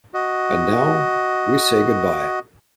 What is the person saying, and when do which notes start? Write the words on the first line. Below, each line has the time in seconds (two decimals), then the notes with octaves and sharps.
And now, we say goodbye.
0.14 F#4 D#5